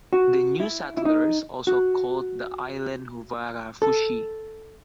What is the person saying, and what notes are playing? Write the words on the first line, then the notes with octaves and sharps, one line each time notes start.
The new settlers also called the island 'Huvarafushi'.
F#4
E4
E4
D#4
F#4
A4